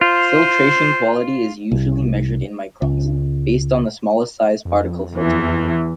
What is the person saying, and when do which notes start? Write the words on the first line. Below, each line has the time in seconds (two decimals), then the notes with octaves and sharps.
Filtration quality is usually measured in microns, based on the smallest size particle filtered.
0.01 F4 C5
1.71 C2
2.82 C#2
4.65 F2
5.15 E2 E3